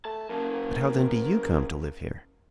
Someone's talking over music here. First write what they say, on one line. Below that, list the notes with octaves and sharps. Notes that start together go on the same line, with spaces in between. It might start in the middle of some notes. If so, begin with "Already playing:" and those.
"But how then do you come to live here?"
A3 A5
F#2 C#3 A#3
A#4